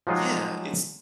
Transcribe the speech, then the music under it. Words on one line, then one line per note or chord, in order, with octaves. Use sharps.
Yeah, it's
F3 F#3 G#3 D#4 F4 G4